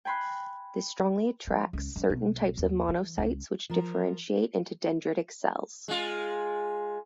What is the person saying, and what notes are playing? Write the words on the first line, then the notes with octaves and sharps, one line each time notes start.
This strongly attracts certain types of monocytes which differentiate into dendritic cells.
G5 G#5 B5 C6 F#6
F3
C#2
F#2
B1
D#2
E3
C#2
F3 A#4
G#3 F4